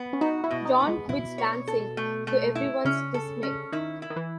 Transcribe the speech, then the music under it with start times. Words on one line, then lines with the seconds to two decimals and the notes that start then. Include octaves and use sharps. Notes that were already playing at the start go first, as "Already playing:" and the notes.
John quits dancing, to everyone's dismay.
Already playing: B3
0.13 C#4
0.21 D#4 F#4
0.44 E4
0.51 B2
0.65 D#4
0.80 B3
0.88 G#3
1.09 B2 E4
1.38 C#5
1.68 A4
1.97 A3
2.27 A3
2.55 E4
2.85 C#3 C#4
3.14 A4
3.43 C#4
3.72 D#3 E4
4.02 E4
4.10 D#3
4.16 E3